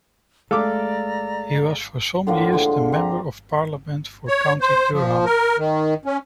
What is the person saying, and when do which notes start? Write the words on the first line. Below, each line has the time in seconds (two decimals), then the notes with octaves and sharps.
He was for some years the Member of Parliament for County Durham.
0.51 G#3 A3 A4 D5 F5 A#5 D6
2.27 A2 D3 F3 A#3
2.53 D3 G#3 C6
2.92 C4 D4 A#5
4.28 C#5
4.61 C5
4.93 F3
5.25 A#4
5.58 D#3
6.05 C#4